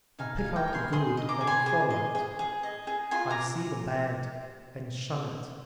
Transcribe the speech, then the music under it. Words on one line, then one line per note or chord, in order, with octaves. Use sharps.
I pick out the good and follow it; I see the bad and shun it.
D#4 F5 G#5
F5 G#5
D#4
G5 A#5
A#4
G#5 C6
G#4 C6 D#6
D#5
A#5 D6
G#4
G#5 C6
G#4
D#5
G#4
G#4
D#5
G#4
F4 G#5 C6
A#5 D6